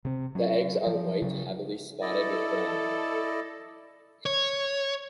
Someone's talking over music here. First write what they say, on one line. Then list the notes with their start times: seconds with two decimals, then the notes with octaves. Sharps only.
The eggs are white heavily spotted with brown.
0.05 C3 C4
0.35 F#3 C#4
0.87 F3
1.22 C#3 F#3
2.01 E4 A4 D5 D#5
4.26 C#5